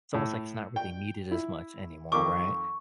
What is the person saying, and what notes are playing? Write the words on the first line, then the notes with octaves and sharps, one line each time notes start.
it's almost like it's not really needed as much anymore, right?
A2
G5
E4
F2 D#3 C#6 D6